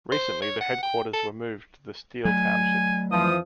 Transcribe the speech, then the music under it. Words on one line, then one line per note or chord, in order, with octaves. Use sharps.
Recently the headquarters were moved to the steel township.
C5
C#5
F#5
G5
A4
F#3 A3 G#5
F2 E3 F3 D#6